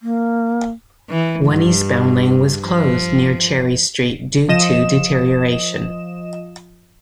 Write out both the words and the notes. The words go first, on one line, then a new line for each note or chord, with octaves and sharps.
One eastbound lane was closed near Cherry Street due to deterioration.
A#3
E3
G2
F3
F3 D#5 E7